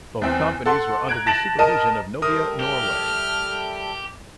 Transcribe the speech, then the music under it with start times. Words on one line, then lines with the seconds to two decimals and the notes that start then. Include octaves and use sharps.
Both companies were under the supervision of Nobia Norway.
0.22 E2 C4
0.66 A4 F#5 C6
1.09 A#5 F#6 G#6 D7
1.26 A5 A6 A#6 D7 E7 F#7
1.59 A#4 D#5 A5 D#7
2.22 G3 A4 A#4 C5 E5 D#6
2.60 G4 F6